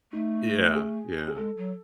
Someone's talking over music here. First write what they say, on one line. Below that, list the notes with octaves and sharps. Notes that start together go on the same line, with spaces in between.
Yeah, yeah.
A3 D#4
G#4
G#4
G#3 A4
F#3